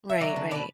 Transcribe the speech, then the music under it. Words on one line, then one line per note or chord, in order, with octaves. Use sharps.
Right, right.
E5
F#3 D5 F#5
D3
B2 B4 D5